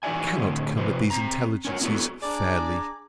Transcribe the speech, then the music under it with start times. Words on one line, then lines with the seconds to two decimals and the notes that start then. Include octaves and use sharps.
He cannot come at these intelligencies fairly.
0.03 E3 D#4 F#4 D5 E5 G#5
0.37 A2 D3 C4 G#4
0.77 C3 F3 B4 C5
1.10 C4 A#5
1.65 C#4 A#4 C#5
1.81 B3 E4 F#4 A4
2.22 D4 G#4 D5 G#5 A#5 D6